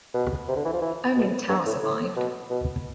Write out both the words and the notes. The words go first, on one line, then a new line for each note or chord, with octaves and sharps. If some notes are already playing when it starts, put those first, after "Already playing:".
Only the tower survived.
B2
C3
D3
E3
F3
E3
B2
G2
A2
A2
B2
B2